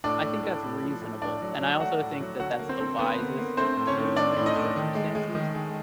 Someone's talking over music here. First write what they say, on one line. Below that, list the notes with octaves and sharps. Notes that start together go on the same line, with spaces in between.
I think that's reasonable. And I also think that that's the wisest thing to do in many circumstances.
A2 D4 D5
A2
A2
A2
F3
A2
A2 D4 D5
F#3
F#3
A3 F#4 F#5
A2
F#3
D3 F#4 F#5
A#3
C4 C5
D3
D3 B3 B4
A#3
A#3
A3 C4 C5
A2
C#4 C#5
A2
A2 D4 D5
A2
D#4 D#5
A2
D#3
G#3
G#3
D#3
G#3